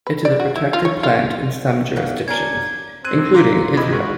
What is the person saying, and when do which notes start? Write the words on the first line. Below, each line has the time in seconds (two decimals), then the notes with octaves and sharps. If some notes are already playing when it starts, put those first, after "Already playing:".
It is a protected plant in some jurisdictions, including Israel.
0.07 B4
0.25 D5
0.40 F#4
0.56 E4
0.73 F4
0.85 C#5
1.03 F4
1.96 F2 D#3 F#3
2.28 C#4 D4 A#4 G#6
3.05 C4 F#6 G#6 D#7
3.18 C3
3.35 A#3 C6 A#6 B6
3.77 C3 D#5 B5 G#6
3.93 G#2 F#4